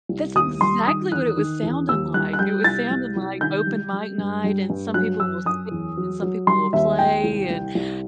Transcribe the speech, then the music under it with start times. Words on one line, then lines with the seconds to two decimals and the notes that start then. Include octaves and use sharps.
That's exactly what it was sounding like, it was sounding like open mic night, and some people will speak, and some people will play, and Have
0.09 C2
0.35 D#2 D#6
0.61 G3 C6
0.87 D#3 D#6
1.11 E2 F#6
1.37 D#3
1.63 E2
1.88 D#2 E6
2.14 G3 F#6
2.33 F#6
2.39 G3 G6
2.64 C2 A6
2.91 C2
3.16 C2
3.41 D#3 G6
3.67 G3
3.93 G3
4.18 G2
4.44 G3
4.70 G2
4.94 F#3 F#6
5.20 F#2 E6
5.46 F#2 D#6
5.71 E2
5.97 F#3
6.22 F#3
6.47 G3 C6
6.73 D#2 E5
6.99 D#2 G5
7.24 C2
7.50 C2
7.75 C2